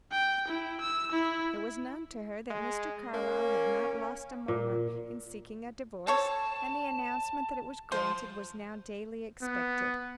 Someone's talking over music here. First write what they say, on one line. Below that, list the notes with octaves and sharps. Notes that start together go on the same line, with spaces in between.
It was known to her that Mr. Carlyle had not lost a moment in seeking a divorce and the announcement that it was granted was now daily expected.
G5
E4
E6
E4
G#3
A#3 C#4
A#2
C4 A4 C#5 A5
F3 C5
B3